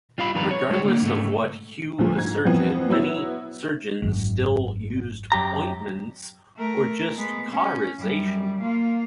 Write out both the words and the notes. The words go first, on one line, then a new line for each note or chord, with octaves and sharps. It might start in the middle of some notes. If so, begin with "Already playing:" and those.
Regardless of what Hugh asserted, many surgeons still used ointments, or just cauterisation.
G3 F4 F5 B5
F2 D#3 G3 B4 A#5
C#5
G#3 C#5
D3 A#3
G#2 C#3 A3
D2 F3 A3
G#2 G#6
F2 E3 F3 B3 C4
F#3 B3 E4 E6
G#1 F#2
F#2 G4 A#5
A3 A#4
G#3 B3
C#4
F#2 G3
A#3 F4